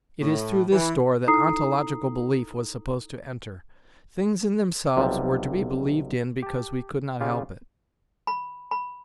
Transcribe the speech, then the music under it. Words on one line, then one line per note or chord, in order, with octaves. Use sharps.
It is through this door that ontological belief was supposed to enter. "Things in themselves" were to be believed in because we could not help it.
A2
E3
D#4 E4 A4 A#5 D#6 C7
B1 C3 F3 G3
G4 A5
C#3 F4 G4
B5
B5